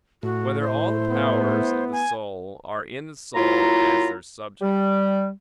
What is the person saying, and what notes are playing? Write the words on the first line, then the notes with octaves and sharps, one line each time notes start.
Whether All the Powers of the Soul Are in the Soul As Their Subject?
A2 F#4
A3 E4 C5
B3
G#5
F#3 A#3 E4 F4 A#5
G3